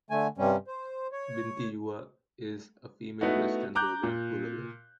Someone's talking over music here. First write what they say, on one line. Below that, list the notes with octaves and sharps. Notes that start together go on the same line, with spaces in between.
Binti Jua is a female western lowland gorilla.
D3 A3 G#5
G2 C3 G3 C#4
C5
C#5
A3 B3 D#4 E4 F#4
A#5 D6 F#6 G6
A#2